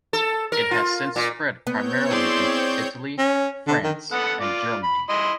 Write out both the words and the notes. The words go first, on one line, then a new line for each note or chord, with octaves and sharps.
It has since spread primarily in Italy, France and Germany.
A4
A#4
F4
A#2
B3 C4 C#5 G6
E4 G#4 C5 D5 C6
C#4
D3
D#3
B3 A4 F#5
F4 D5
B5
E4 D#5 C6